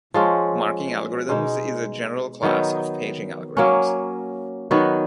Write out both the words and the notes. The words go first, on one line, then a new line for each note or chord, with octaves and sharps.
Marking algorithms is a general class of paging algorithms.
F3 G#3 C#4
B2 G#3 D#4
D#3 F#3 B3 D#4
F#3 A#3 C#4
D#3 F#3 B3 F#4